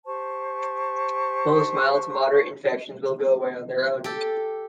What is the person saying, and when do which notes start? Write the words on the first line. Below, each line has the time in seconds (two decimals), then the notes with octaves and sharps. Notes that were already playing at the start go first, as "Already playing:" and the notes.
Most mild to moderate infections will go away on their own.
0.05 G4 C5 A5 C#6
4.04 G4 A4